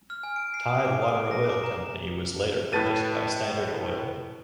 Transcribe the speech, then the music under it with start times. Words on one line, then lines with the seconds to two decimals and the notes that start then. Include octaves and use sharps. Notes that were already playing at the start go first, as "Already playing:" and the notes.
Tide Water Oil Company was later purchased by Standard Oil.
0.10 F6
0.23 G#5
0.36 D7
0.54 C7
0.68 D#6
0.85 D6
1.02 D#6
1.15 D7
1.31 A#6
1.50 D6
1.64 A#5
2.73 A2 B4 A5 A6 D#7